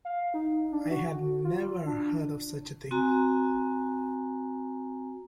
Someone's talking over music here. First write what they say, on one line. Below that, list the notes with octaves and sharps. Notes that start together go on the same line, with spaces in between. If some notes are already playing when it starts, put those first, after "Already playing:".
I had never heard of such a thing.
F5
D#4
D4
F#4
F4
D4
C4 F#4 G#5 A#5